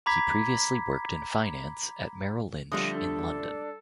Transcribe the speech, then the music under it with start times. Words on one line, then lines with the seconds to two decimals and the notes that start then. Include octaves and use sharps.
He previously worked in finance at Merrill Lynch in London.
0.06 A#5 B5 D6 G#6 B6
2.72 D3 F3 G3 A3 D#6 A#6
2.95 D4 A4